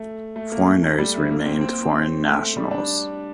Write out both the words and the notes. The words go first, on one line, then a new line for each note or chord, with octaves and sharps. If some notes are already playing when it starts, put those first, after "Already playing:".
Foreigners remained foreign nationals.
Already playing: A3
A3
A#3
A3
A3
G3
A3
A#3
C4
C4
A3
G3
D4